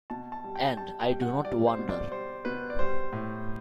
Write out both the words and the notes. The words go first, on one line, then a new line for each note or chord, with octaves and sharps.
And I do not wonder.
B2 A5
A5
G3
G5
G3 A5
G5
G3
F#5
G3 D5
C5
B2
D5
G3 C5
B2 B4
D5
G3 C5
A2